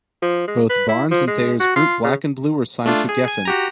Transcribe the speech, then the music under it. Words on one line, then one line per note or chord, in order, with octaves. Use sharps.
Both Barnes and Thayer's group Black 'n Blue were signed to Geffen.
F3
G#3
B4
E4
F3
G#3
F#4
F4
C#3
A3 D4 F4
G#4
G#5
F#4 G4 A#5